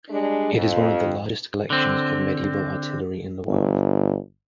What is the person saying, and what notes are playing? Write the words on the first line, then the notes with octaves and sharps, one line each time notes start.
It is one of the largest collections of medieval artillery in the world.
G3 G#3 D4
F2
D3 C4
G1